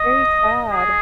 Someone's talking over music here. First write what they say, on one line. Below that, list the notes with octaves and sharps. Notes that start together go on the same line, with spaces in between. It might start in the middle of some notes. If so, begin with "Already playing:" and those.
very sad.
Already playing: D#5
G#4